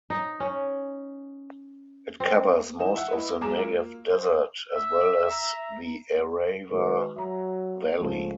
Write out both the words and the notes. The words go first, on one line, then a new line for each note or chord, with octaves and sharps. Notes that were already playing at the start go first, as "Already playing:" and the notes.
It covers most of the Negev desert, as well as the Arava valley.
D#4
C#4
C4
E3 D#4 D#5 E7
E5 F#5 E6
E4 B4 D#5
B1 G#3 G#4 A#5 D6 E7
A#3 F4
C5
E5 E6
A#5
D#3 G#3 F#4 B4
F#3 E5 A#5
C#2 F3 G#3 A3